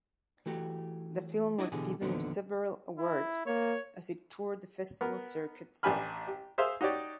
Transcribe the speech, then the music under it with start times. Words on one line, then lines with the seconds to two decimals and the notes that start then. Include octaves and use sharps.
The film was given several awards as it toured the festival circuits.
0.46 E3 A3 F#4 G4
1.59 D4 E4 D5 D#5
1.72 B2 D3 E3 G4 G#4
2.01 E2 A#2 D3 D#3 F3 B3
2.99 E4
3.46 A#3 C#5
5.01 B3 A#4
5.83 A1 D4 G4 G#5 B5 F6
6.27 G4
6.58 G#4 C5 E5 F5 C6
6.81 D#4 F#4 G4 C#5 D5